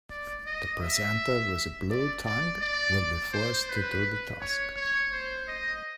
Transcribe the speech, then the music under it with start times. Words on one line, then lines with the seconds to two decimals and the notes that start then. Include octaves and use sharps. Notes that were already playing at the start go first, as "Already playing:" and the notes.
The presenter with a blue tongue will be forced to do the task.
0.10 D5
0.46 D#5
0.82 E5
1.90 D5
2.26 D5
2.62 D5
3.33 C5
3.69 B4
4.40 C#5
4.76 C#5
5.12 C5
5.48 D#5